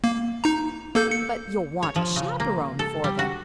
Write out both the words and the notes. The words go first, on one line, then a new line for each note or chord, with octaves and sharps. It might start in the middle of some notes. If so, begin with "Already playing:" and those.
"But you'll want a chaperone for them."
A#3
D#4 A#5
A#3 A4 G6
C#7
C#5
F3
C#3
A#3
A4
G3
F#4